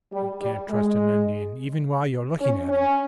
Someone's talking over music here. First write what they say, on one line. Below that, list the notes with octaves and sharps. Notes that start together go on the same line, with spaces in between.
"You can't trust an Indian even while you are looking at him."
G3
G3
G#3
C#4
C#4